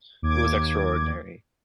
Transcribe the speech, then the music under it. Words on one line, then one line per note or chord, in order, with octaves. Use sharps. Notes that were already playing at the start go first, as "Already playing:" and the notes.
It was extraordinary.
D#2 D6 G#6